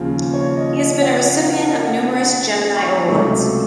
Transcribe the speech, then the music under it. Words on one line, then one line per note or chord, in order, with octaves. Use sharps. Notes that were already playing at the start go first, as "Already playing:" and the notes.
He has been a recipient of numerous Gemini Awards.
Already playing: D#2 C#3 F3 C4
C#5
D#5
F#5
F#5
F5
F#5
A5
F#5
F#5
C#6
C#2 C3 F#3 A3 C#6